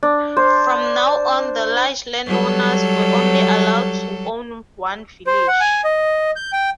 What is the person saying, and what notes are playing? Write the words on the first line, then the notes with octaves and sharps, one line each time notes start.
From now on the large landowners were only allowed to own one village.
D4
C5
F#3 G3 A4
C5
F#5
G#5
D#5
G6
G5